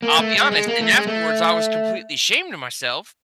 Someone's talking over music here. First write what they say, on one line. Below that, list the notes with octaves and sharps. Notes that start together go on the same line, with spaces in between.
I'll be honest, and afterwards, I was completely ashamed of myself
A#3
A3
G#3
G#3
A#3
A3
G#3
A3